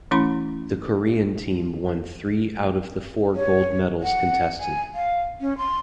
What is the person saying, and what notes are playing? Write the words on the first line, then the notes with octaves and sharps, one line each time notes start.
The Korean team won three out of the four gold medals contested.
E3 A3 C#4 E4 B5 C6
C#5
F#5
G#5
F5
C#4
C6